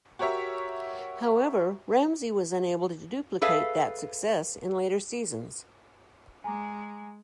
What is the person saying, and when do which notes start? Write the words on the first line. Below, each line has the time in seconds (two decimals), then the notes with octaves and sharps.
However, Ramsay was unable to duplicate that success in later seasons.
0.19 F#4 G4 A#4 C#5 E5 C#6
3.42 G#4 A4 B4 E5 F5
6.44 G#3 G#5 A#5 D6